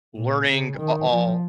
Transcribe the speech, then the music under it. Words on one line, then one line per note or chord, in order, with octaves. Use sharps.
learning a all
A#2
C#3
D#3
F3